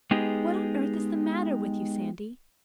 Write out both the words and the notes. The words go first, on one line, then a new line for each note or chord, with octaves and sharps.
What on earth is the matter with you, Sandy?
G#3 B3 D#4 G4 G#4